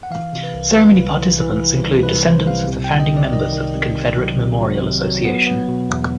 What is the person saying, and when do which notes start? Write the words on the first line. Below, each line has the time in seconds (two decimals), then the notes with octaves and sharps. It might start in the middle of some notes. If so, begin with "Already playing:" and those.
Ceremony participants include descendants of the founding members of the Confederate Memorial Association.
0.03 F#5
0.11 E3 F5
0.33 C3
0.43 B4
0.54 C2
0.75 C2 B4
0.97 C2
1.19 E3
1.40 E3
1.60 E3
1.82 C2
2.03 C2 B4
2.25 C3 C5
2.46 C2 F5
2.68 C3
2.84 G5
2.90 D#3
3.00 D#5
3.11 C3
3.17 D5
3.32 D#3 D#5
3.53 D#3
3.74 C3
3.97 D#3
4.17 F#3
4.40 C3
4.61 F#3
4.82 C3
5.03 F#3
5.25 B3
5.47 B3
5.68 B2
5.90 E2